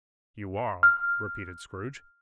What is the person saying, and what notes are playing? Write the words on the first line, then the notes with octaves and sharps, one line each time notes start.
'You are!' repeated Scrooge.
F6